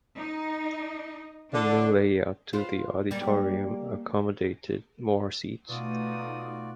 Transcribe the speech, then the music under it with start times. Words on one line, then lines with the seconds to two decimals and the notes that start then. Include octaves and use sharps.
A new layout to the auditorium accommodated more seats.
0.17 D#4
1.53 D3 D4
2.53 F4 B4 C5
3.11 G3 A#3
5.68 B2 A3 D#4 F4 F#4 D5 D#6